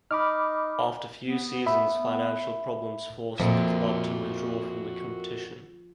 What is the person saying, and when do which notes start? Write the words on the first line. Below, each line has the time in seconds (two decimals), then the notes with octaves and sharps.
After few seasons, financial problems forced the club to withdraw from the competition.
0.11 D#4 B5 D6 F6
1.24 B3
1.66 E5 B5
3.40 F2 A#2 F3 F#4 C5 E5